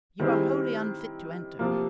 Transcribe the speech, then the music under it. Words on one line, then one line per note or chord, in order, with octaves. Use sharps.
You are wholly unfit to enter.
D#3 G3 C4 E4 G#4
C3 F3 A#3